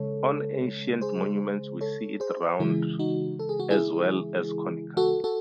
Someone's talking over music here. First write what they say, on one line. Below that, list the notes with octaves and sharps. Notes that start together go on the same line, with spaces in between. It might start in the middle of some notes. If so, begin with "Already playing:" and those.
On ancient monuments we see it round as well as conical.
Already playing: C#3 G#3 A4 C#5
G#4 C5
A4 C#5
G#4 C5
C#3 E3 G#3 E4 G#4
D#4 F#4
A4
G#4
F#4
E4 G#4
F#4 A4
F#4 A4